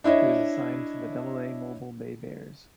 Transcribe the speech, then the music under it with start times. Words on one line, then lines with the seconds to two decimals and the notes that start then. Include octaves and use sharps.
He was assigned to the Double-A Mobile BayBears.
0.04 D4 E4 C#5 D#5 E5